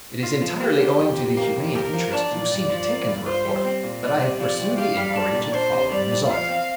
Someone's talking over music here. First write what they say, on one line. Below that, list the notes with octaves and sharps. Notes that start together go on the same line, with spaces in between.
It is entirely owing to the humane interest you seemed to take in the report, that I have pursued the inquiry to the following result.
F4
F3
A#3 G4
D3
F2
C3
A#3 G4
F2
G4 A#4
F3
D4 D5
A#2
G2
F3
A#3
G2
F4 C5
G3
C4
A#2
C2 D5
C3
F3 D5
C2
G4 F5
G3
D4 D5
A#2
D4 C5
C3
G3 D5
F2
F3 F5
C4